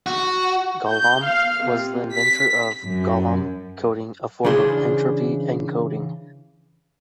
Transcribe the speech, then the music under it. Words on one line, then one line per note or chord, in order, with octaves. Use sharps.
Golomb was the inventor of Golomb coding, a form of entropy encoding.
F#4
G6
F5
C3
B6
F#2
C#3 E3 D4 G#4 C5